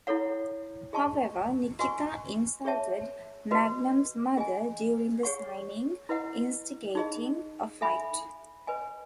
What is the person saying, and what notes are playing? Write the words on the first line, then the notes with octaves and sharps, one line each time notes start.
However, Nikita insulted Magnum's mother during the signing, instigating a fight.
E4 A4 C#5 F#5
G#4 D#5 A5 C#6
F#4 B4 D#5 G#5 C#6
G#4 C#5 E5 A5
F#4 B4 D#5
G#4 D#5 G#5
G#4 C#5 F#5 C#6
E4 B4 D#5 F#5
D#4 G#4 D#5
A4 E5 G#5 B5
B4 D#5 G#5